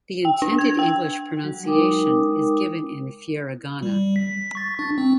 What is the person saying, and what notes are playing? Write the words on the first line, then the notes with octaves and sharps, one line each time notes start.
The intended English pronunciation is given in furigana.
G5
D4
G#6
G5
F#3 F#4
G#3 D#4 A#4 G5 D6 D#6
G3
B6
C#6 A6
D4
C4